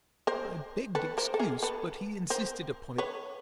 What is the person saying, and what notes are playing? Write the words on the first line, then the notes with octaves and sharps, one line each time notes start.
I begged excuse; but he insisted upon it.
A#4 C5
A4 B4
A#4 C5
A4
G#4 A#4
A4 B4
A#4 C5
B4 C#5